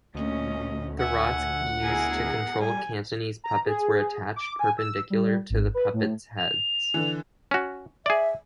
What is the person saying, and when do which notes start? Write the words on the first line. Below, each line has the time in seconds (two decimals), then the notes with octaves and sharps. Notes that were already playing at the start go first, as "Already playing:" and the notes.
The rods used to control Cantonese puppets were attached perpendicular to the puppets' heads.
0.15 D2 A#2 A3 C#4 D#5
0.99 A#2 E5 F#5 G#5
1.82 B2 E4 G#4 A#4 G#5
2.60 G3 G#5
3.44 A#5
3.65 G#4
4.36 D6
4.59 G#5
4.78 E6
5.10 G3
5.49 G#1
5.74 B4
5.93 A2
6.38 F7
6.94 D3 E3
7.51 C#4 F#4
8.06 G#4 D5 E5